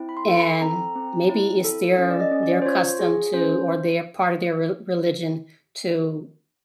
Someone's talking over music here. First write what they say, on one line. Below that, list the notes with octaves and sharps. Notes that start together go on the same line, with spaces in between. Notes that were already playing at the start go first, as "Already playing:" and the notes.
and maybe it's their their custom to, or their part of their re religion to,
Already playing: C4 E4
B5
C6
A4
B5
C4 A#5
C4
E4
A4
C#4
D5
D#5
C#4
D5
C5
F4 C#5
G#4
C#4 C5